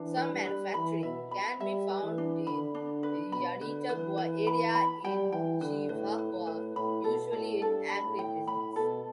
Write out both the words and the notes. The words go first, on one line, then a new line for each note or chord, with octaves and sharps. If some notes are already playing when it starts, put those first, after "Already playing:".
Some manufacturing can be found in Yaritagua area and Chivacoa, usually in agribusiness.
Already playing: E3 D4
B4
G3
B4
E3 B5
B2 E5
B5
G3 E5
B4
E3
D4
D3 B5
D4
B4
B2 B5
D3 B4
E3 B4
B4
B5
B5
G3 G5
E3 G5
D3 B4
A2 B4
B4
A2
B4
A2 B5
B2 A4
A2 A4
G2 A4
B5
A2
G5
A2 B5
B2 A4